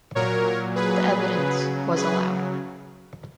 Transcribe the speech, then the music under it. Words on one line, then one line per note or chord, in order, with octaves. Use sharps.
The evidence was allowed.
A#2 F#3 A#4 C#5
G#4 B4
C#3 F#3
G#4 B4